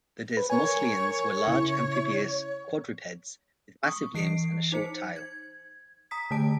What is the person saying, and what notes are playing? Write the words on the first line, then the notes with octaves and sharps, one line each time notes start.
The desmostylians were large amphibious quadrupeds with massive limbs and a short tail.
B4
A#4 C#5 G#5
C#3 E4
C#6 D#6
E3 C7 D7
D#4 C5 C#7
G#6
A#5 D#6 B6
D3 A3 A5 D7